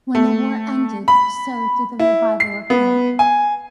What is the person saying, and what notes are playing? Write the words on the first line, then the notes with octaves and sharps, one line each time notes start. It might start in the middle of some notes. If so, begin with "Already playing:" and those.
When the war ended, so did the revival of hemp.
A3
B5
E4
C7
B3
G#5